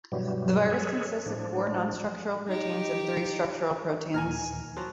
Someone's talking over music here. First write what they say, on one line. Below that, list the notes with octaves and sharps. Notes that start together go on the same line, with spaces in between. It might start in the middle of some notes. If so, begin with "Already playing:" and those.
The virus consists of four nonstructural proteins and three structural proteins.
G2 B2 E3 F#3 G3
G#4 A4 B4 C#5
A2 F3 D4
D#4 G4
D#2 A#2 G#5 A#5 F6
F3 F#3